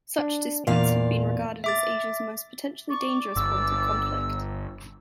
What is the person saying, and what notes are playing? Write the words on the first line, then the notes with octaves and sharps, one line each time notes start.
Such disputes have been regarded as Asia's most potentially dangerous point of conflict.
D4
E2 A#2 D5 F5
E5 D6 A6
D5 C#6
G1 E6